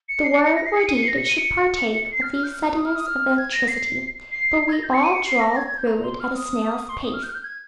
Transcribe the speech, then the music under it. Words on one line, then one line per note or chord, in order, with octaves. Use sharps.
The word or deed should partake of the suddenness of electricity; but we all drawl through it at a snail's pace.
C#7
C7
C#7
C#7
A#6
C7
C#7
D#7
C#7
C7
A#6
C#7
D#7
C#7
C7
F6
F6
G6
F6
D#6
F6
D#6
F6
G#6
A#6
C7
C7
C7
G#6
A#6
G6
C#7
D#7
C#7
C7
A#6
G#6
G#6
G6
A#5
C6
F6
D#6
C6
C#6
D#6
F6
G6
F6
G6
G#6